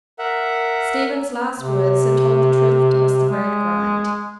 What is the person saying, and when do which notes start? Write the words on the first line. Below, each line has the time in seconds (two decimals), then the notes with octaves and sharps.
Stephen's last words had told the truth to Mr. Gradgrind.
0.19 A#4 E5 F#5
1.60 C3
3.30 G#3